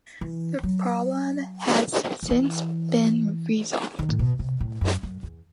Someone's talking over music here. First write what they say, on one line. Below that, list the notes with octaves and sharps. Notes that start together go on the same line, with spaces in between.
The problem has since been resolved.
E3
F#3
D#3
E3
D#3
A2
B2
C3
A2
F#2
F#2
E2